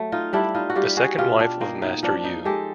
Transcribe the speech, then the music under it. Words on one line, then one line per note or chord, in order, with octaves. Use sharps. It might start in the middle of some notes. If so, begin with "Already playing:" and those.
The second wife of Master Yu.
Already playing: F#3 A3
D#4 F4
G3 D4 E4
D#4 F4
F#4
G3 F4 G4
F#4 G#4
B2 F4 G4
D4
A#3 D#4
D#4
F3 D4
D#4
G#3 G4 A4